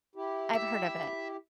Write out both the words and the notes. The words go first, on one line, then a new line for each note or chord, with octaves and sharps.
I've heard of it.
E4 G4
E5